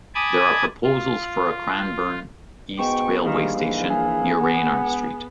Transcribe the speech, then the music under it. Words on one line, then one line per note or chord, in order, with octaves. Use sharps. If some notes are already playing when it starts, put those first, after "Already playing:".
There are proposals for a Cranbourne East railway station near Reynard Street.
G#5 A5 B5 D6 D#6 G#6
F4
G#2 B2 G5 C#6
A#1 D#3 G3 F5
E3
G#4
B3 F#5
E1